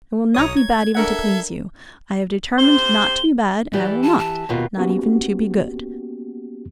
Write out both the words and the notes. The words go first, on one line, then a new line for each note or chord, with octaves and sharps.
I will not be bad even to please you; I have determined not to be bad and I will not--not even to be good.
B1 C#5 A#5 D#6
G#6
D4 A4 A#4 E5 F#5 G#6
C3 C5 G7
E3 G4 D5
A5
A5
D#2 B2 F4
A#3 B3 C#4 F#4 G4